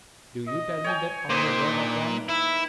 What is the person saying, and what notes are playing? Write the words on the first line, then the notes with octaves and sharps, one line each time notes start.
"Do you tell me that on your word of honor?"
D#5
C#5 G5 G#5
A#2 D#4 B4 C5 D6
D4
E4 E5